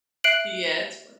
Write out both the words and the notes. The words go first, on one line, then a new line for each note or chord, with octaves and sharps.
Yeah, it's fun.
E5 F#6 C7 D7 F#7